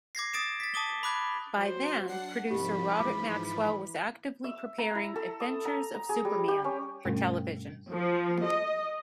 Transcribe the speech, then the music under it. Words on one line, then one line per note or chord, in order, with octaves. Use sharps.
By then, producer Robert Maxwell was actively preparing "Adventures of Superman" for television.
D6 G#6 A#6 C7
D#6 A6 D7 E7
A6 B6
A5 D6 D#6 G7
B5 D6 F#6 G#6
F#3 C5
D4 F#5 C7
C2 G#2 F3 G4 B5
E3 D6
E5
A#5
E4
A4
D#6
A#5
A#5
G#4
G3
G4
C#4
G2 B2 G3 A3 C#4 D4
F3
D#5